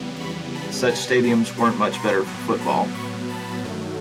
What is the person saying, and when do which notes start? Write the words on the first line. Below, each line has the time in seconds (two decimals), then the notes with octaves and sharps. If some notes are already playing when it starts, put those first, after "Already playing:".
Such stadiums weren't much better for football.
Already playing: F2 C#3 E3 G3 B3
0.20 B5 C#6
0.55 A5 B5
0.89 B2 G3 B3 G#5 A#5
1.23 A5 B5
1.57 A#5 C6
1.92 A#5 C6
2.27 A2 F#3 B3
2.61 A5 B5
2.94 B5 C#6
3.29 A5 B5
3.63 G2 D#3 F#3 A3